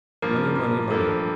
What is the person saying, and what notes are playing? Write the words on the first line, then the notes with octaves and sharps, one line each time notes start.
"Money, money, money!"
G2 F3 A#3 A#4
G2 F3 A#3
G2 F3 A#3 A4